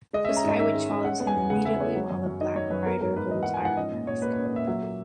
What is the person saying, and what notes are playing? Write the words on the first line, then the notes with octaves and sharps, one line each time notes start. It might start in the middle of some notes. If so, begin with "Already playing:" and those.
The Skywitch follows him immediately while the Black Rider holds Iron Mask.
G#3 D#5
C#4 E5
A#5
G#2 D#5
D#3 E5
G#3
C#4
G#3 F#5
B3
G#5
E2
C#3 F#5
G#3 E5
B3 C#5
F#3
F#2
F#2
D#3 D#5
F#3 C#5
F#2 B4
B3 A#4
G#2 A#4
G#2 B4
E3 D#5
B3 F#5
G#5
G#2 F#5
C#4 D#5
A#2
A#2 C#5
A#3 B4
C#4 B4
C#5
A#2 E5
F#3 E5
A#3